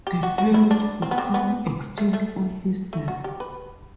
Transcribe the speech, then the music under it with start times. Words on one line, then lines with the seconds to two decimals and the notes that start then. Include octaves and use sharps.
The peerage became extinct on his death.
0.07 G4
0.23 F#4
0.38 F#4
0.54 E4
0.71 D4
1.02 C4
1.11 B3
1.18 C4
1.34 B3
1.98 A3
2.13 A3
2.93 A3
3.08 F#4
3.24 G4
3.40 B4